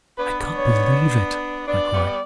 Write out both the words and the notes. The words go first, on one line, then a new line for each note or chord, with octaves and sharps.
"I can't believe it," I cried.
B3 D4 B4
C#5
B3 D4 D5
G3 B3